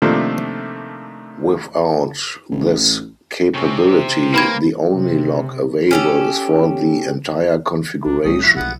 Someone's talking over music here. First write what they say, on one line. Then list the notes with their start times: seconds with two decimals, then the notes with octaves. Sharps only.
Without this capability, the only lock available is for the entire configuration.
0.02 C3 D#3 F3 A3 A#3 D4
2.51 A1
3.54 C3 C#4
3.89 C4
4.34 A#3 B4 B5 G#6
4.94 C3
5.91 C#4 G4 A4
8.05 C#2 D4
8.25 C2 A2 G3 A3 C#4 D#6
8.43 F3 E4 F#4
8.56 B1 B2 B3 F#5